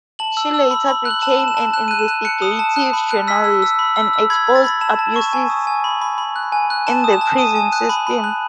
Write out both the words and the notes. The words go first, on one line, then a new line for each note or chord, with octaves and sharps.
She later became an investigative journalist, and exposed abuses in the prison system.
A5 F#7
E6
E6
B5
B5
F#6
F#7
A5 E7
A5
E7
A5
F#6 E7
F#6 D#7
E7
F#6
F#6 C#7
D#6
A5
F#6
B5
F#6
E6 B6
E6
E6
B5
E6
E6
B5 G#6
B5
A6
B5
A5 E7
A5
C#6
G#5
D#6
G#5
B5
B5
B5
F#6
G#5
F#6
A5 E7
D#6
E7
A5
D#6 D#7
G#5
F#6
B5
B5
F#6